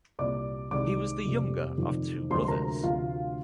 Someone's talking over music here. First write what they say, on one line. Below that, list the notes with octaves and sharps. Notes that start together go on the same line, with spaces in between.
He was the younger of two brothers.
C2 A#2 G3 D5 D6
C2 C3 D#3 G#3 D5 D6
F1 F2 C3 G3
F1 F2 D#3
D2 C3 F3 G#3 C5 C6
C6
A#4 A#5
D2 C3 F3 F4 F5